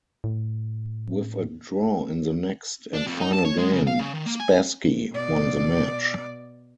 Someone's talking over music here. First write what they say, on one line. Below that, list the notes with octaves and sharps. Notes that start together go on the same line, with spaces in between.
With a draw in the next and final game, Spassky won the match.
A2
D4
F2
D#4
A5
C#5
G#3
C#3
F5
C#3
D#3
A#3
G#5
B2 D5